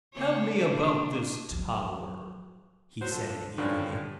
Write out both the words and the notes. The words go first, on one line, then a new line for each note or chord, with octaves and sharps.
"Tell me about this tower," he said eagerly.
C#3 A#3 C#5
C#3 A#3 D4
F3 F#3
F#3 C5
D3 F3
G2 D3 D#3 F3 C#4 D4